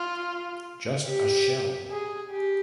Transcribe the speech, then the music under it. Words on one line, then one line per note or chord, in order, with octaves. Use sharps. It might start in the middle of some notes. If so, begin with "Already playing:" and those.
Just a shell.
Already playing: F4
G4
G#4
G4